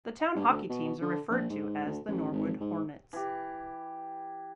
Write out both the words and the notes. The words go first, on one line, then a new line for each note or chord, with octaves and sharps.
The town hockey teams are referred to as the Norwood Hornets.
G2
D2
B2
D3
A#1
G#2
D2
A1
G#1
G#2
E3 G4